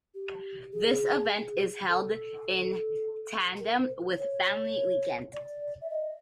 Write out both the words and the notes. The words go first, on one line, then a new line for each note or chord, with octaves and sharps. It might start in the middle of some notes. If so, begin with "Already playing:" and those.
This event is held in tandem with Family Weekend.
G4
G#4
A4
A#4
C5
C#5
D5
E5
D#5